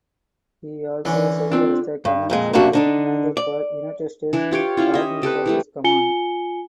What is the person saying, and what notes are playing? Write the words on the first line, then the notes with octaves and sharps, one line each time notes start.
He also served as the command sergeant major for United States Army Forces Command.
D3 E3 C#4
C4 D4 F4
G2
F2 A#2 G#3
F#2 C3 G3 A#3 D4 F#4
D3 D4 D#4
D5
E3 D4 E4
F4 G4 C#5 G5
C#4 E4 F4
D#5 E5
C4 G4 A4 B4
E3 G3 A3
F4 G#5 C#7 G7